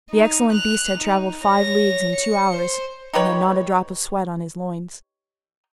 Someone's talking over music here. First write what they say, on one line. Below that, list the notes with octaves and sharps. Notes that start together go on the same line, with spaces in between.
The excellent beast had travelled five leagues in two hours, and had not a drop of sweat on his loins.
D#4
F#6 F7
D#4
C#5 A#6
C#7
C5
D#4 G4 B4 C#5